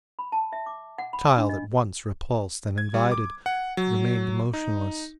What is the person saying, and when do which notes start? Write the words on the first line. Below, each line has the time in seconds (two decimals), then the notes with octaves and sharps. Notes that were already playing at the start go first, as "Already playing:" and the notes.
The child, at once repulsed and invited, remained motionless.
0.19 B5
0.32 A5
0.53 E5
0.66 D6
0.98 F#5
1.13 B5
1.37 D4
1.49 D#5
2.78 G#6
2.94 G3
3.12 D6
3.46 F#5
3.77 F#3
4.54 D#4